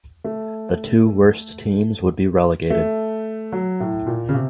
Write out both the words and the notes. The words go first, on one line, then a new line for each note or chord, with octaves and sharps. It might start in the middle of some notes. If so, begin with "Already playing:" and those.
The two worst teams would be relegated.
A3
A3
F#3
A2
A#2
C#3
C3